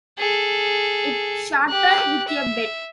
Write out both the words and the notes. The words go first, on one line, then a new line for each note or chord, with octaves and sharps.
It started with a bet.
G#4 A4
G4 F#6
E5